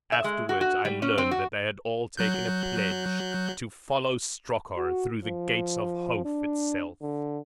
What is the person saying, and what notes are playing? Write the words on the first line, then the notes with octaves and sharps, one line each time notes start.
Afterward I learned that they had all taken a pledge to "follow Strokor through the gates of Hofe itself!"
E5
G#3
F#4
F#4
G3
C#4
C4
F#4
F#3 F#6 G6
F#4
F3
D4
D3